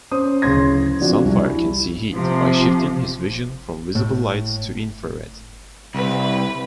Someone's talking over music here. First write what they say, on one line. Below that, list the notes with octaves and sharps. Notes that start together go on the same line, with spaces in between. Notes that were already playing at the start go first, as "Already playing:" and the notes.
Sunfire can see heat, by shifting his vision from visible light to infrared.
C#4 C5 D#6
D1 C#3 C#4 C6 G#6 A#6
F3 C4 D4 F#4
C2
E4
C3 F3
A2
C2 B4